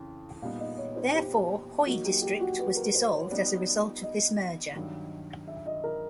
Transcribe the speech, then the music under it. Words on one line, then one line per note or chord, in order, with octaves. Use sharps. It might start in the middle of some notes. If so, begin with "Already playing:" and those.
Therefore, Hoi District was dissolved as a result of this merger.
Already playing: F2 C#3 E3
A#2 G3 B3 D#4 F5
D#5
C#5
C5
G4
F#3 A#3 D#4 F#4
G4
G4
F#4
B4
A#4
C5
C#5
G3 B3 D#4 D5
D#5
G2 D#3 F#3
E5
D#5
A#4